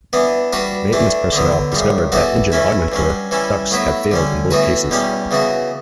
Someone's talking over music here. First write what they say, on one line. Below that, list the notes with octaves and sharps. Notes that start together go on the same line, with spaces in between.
Maintenance personnel discovered that engine augmentor ducts had failed in both cases.
E3 B3 D4
G3 D4 F#4 B4
E3 A3 D4
D3 F#3 B3
F#2 C#3 G3
E3 B3 F#4 A4 D5
E3 A3 C#4 E4
G2 F#3 C#4
E3 G3 C#4 E4
A2 F#3 B3 E4 B4
D3 G3 C#4
A2 E3 B3 F#4 B4
E2 B2 G3 C#4 G4
C#3 E3 B3 F#4